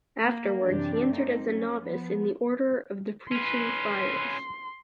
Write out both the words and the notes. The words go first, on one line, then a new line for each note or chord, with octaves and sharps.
Afterwards he entered as a novice in the Order of the preaching friars.
A#3
F#2 C3 E3 D4 G4 D5
A3 A#3 C4 D#4
F#3 C#4
F3 B3
C#4 B4 C6